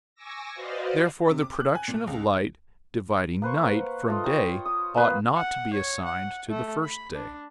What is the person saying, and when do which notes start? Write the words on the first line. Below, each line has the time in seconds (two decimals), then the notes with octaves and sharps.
Therefore the production of light, dividing night from day, ought not to be assigned to the first day.
0.15 G#5 C#6 D6 E6 A#6
0.54 F#4 B4 C5 D5 D#5 F5
1.30 C3
1.42 D6
1.60 F#6
1.75 G#5
1.88 A#2
2.07 C#2
3.42 A#3 B4 C5 C#6
3.68 F#5
4.08 A3 F4 D#5
4.24 C#5 G5 A#5
4.65 D#6
4.96 A#3 B3 B4 F5
5.37 F#5
5.74 C#5
6.05 F#5
6.49 A3
6.84 B5
7.15 D4